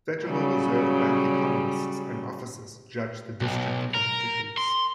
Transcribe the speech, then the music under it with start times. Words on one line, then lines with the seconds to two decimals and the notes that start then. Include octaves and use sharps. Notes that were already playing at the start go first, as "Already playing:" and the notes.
Federal Reserve Bank economists and officers judge the district competitions.
0.23 C#3 F#3 G3
3.41 B1
3.94 A#4
4.58 C6